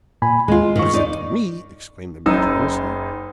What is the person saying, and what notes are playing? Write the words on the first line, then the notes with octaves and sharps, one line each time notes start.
"What is that to me!" exclaimed the Major, earnestly.
A#2 G#5 B5
D#2 G#3 F4
G2 D#3 C#6
D#4 D5
F#1 F#2 D#4 D#6 E6